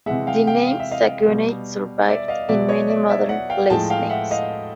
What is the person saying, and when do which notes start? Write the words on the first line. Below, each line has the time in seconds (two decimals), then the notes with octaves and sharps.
The name Saguenay survived in many modern placenames.
0.06 C3 E3 G#3 E5 F#5
0.27 F5 G5
0.47 F5 G5
0.67 F5
0.80 E5
0.92 D#5 F5
1.28 B2 G3
2.09 D5 E5
2.28 D#5 F5
2.49 B2 F#3 D5 E5
2.69 C#5 D#5
2.89 D5 E5
3.09 D5 E5
3.29 E5 F#5
3.50 F5 G5
3.70 A2 F3 G#3 G5 A5
3.90 F5 G5
4.10 E5 F#5
4.31 D#5 F5